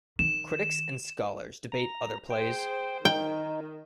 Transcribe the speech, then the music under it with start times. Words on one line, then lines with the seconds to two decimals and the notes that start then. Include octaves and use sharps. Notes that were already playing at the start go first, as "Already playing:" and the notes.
Critics and scholars debate other plays.
0.19 D#3 E7
1.72 A#5
2.30 G#4 C5 G5
3.05 D#3 D#4 G5